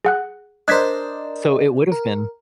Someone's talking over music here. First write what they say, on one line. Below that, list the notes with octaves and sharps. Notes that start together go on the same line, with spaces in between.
so, it would've been
G#4 F#5 F#6
D4 A#4 C5 D5 D#5 F#6 G#6 B6
A#4